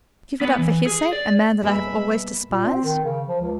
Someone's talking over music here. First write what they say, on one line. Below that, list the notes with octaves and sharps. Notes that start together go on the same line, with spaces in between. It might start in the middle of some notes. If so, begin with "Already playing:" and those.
"Give it up for his sake,--a man that I have always despised?"
B3
E3
G#4
D5
B2 G3 A#3 G#4 A#4 E5 B5
A#2
C4
D#3
C#3
F3
C#2